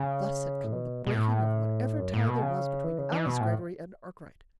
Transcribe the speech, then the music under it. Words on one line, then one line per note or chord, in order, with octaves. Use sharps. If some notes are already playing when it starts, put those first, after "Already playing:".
Thus had come the breaking of whatever tie there was between Alice Greggory and Arkwright.
Already playing: C#3
A2
B2
B2
A2
F#2
A2
B2
C#3
E3
C#3
E3
B2
A2